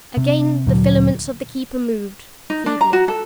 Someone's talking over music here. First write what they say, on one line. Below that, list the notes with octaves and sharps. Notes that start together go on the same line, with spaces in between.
Again the filaments of the Keeper moved--feebly.
C3
D2 A#2 D3 F#3
D#4
D4
A#5
F#4
A4